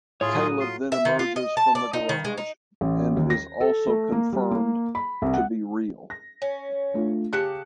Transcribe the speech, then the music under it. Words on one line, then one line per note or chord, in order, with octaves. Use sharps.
Caleb then emerges from the garage and is also confirmed to be real.
A2 F4 G#4 C#5
F#3 F#4 D#6
F4 C6
E5
D#3
F4
D#5
A5
D5
D#4
D#3
G#3
D#4
A1
D#2
A#6
A4
A3
A#3
G3
A#3
B5
C2
F#5
A#6
C#4
A3 D4 F4
C#3 G4 A5 F#6 C#7